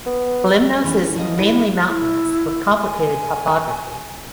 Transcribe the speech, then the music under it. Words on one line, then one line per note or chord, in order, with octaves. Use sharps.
Kalymnos is mainly mountainous with complicated topography.
B3
E3 G3 A3 C#4 D4
F3 F#3 D#5
E4 G4 A4 B4 D#5
E4
G#5